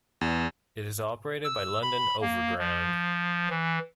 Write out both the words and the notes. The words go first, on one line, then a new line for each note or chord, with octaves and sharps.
It is operated by London Overground.
E2
E6
B5
A#3
F3
E3